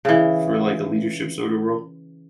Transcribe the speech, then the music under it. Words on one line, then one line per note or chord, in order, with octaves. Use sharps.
for, like, the leadership sort of role?
C#3 E3